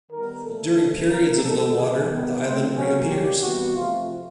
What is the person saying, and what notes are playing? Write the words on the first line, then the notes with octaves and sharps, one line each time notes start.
During periods of low water the island reappears.
D#3 G3 B3 A#4
A#2 F3 A3 A4
C#3 F#3 A3
C#3 F#3 A#3 A#4
D#3 G#3 B3 A4
C3 F3 G#3 B3 G#4
D#3 G3 B3
A#2 F#3 A3 C4
B2 F#3 A#3 C#4
D#3 G3 A#3 G4
C3 E3 G3 B3 F#4
C3 F3 A3 F4